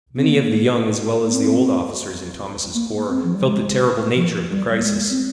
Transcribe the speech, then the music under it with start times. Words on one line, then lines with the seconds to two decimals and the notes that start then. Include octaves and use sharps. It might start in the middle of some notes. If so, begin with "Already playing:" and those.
Many of the young as well as the old officers in Thomas' corps felt the terrible nature of the crisis.
0.17 C4
0.29 A#3
1.27 A#3
1.34 C4
2.75 A#3
3.09 C4
3.24 F3
3.35 G3
3.45 G#3
4.15 F3
4.50 G3
4.75 A#3
4.85 G#3
5.10 C4